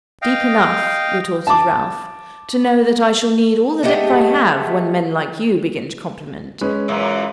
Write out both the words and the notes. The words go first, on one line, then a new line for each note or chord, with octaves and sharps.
'Deep enough,' retorted Ralph, 'to know that I shall need all the depth I have, when men like you begin to compliment.
D#5 F5 G5
A5 D6
G#3 A3 B3 G4
G#3 C#4 B4
F#2 A#2 E3